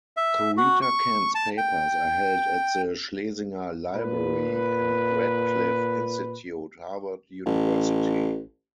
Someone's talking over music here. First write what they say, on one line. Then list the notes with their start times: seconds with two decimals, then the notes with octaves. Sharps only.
Corita Kent's papers are held at the Schlesinger Library, in Radcliffe Institute, Harvard University.
0.17 E5
0.57 F#4
0.82 C#6
1.35 A5
1.58 G5
3.95 A#2 B4
7.46 A1